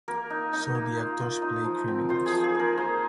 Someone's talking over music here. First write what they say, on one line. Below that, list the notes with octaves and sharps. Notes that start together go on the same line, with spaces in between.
So the actors play criminals.
A#3 A#4
D#4
D#4
A#3
F4
F4
D#4
F3
C4
F4 C5
G#4
F3
G#4
A#3 A#4
A#3 C5